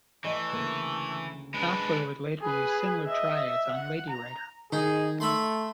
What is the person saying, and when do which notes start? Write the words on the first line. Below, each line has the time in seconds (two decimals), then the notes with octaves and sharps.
Knopfler would later use similar triads on "Lady Writer".
0.24 E3 A3 D5 D#5
0.52 D2 C#3 A#3
1.54 G#3 D4 B4
2.41 G#4 B4
3.06 D#5 E5
3.47 E5
3.75 F#5
4.10 A#5
4.72 D#3 D#4 G#4
5.20 A3 E5 B5 C6